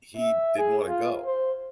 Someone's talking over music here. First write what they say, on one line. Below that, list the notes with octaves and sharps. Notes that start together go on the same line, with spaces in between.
he didn't wanna go.
E5
G#4
F4
C5